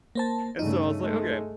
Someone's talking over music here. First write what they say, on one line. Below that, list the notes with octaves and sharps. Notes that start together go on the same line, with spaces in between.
and so I was like, "Okay,
A#3 C5 A5
G2 C#3 A3 D#4
G#3 A3